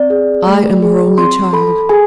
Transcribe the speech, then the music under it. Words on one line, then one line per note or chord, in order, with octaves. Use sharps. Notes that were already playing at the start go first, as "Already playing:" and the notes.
I am her only child.
Already playing: C4 D5
G#4
A3
G#4
C4 C6
A4 B5
G#4 G#5